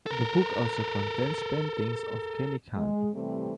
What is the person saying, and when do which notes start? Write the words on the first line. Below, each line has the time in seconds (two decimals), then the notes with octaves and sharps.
The book also contains paintings of Ghani Khan.
0.06 A4 A#4
2.76 G#3
3.14 C3 E3 G3 A3 C4